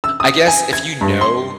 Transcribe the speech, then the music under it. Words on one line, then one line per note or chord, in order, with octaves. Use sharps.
I guess if you know
E6
D#6
G#5
G#6
G2
C6